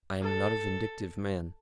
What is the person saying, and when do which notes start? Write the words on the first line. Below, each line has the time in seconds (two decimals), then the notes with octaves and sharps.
I am not a vindictive man.
0.21 A4